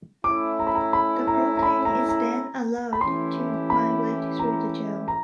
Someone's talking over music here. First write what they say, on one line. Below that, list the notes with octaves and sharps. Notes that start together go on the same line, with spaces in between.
The protein is then allowed to migrate through the gel.
A3 C#4 E4 D6
A#5
B5
A#5
B5
A#5
A#5
B5
A#5
A#5
B5
E3 A3 C#4 E4 G4 C6
B5
A#5
A#5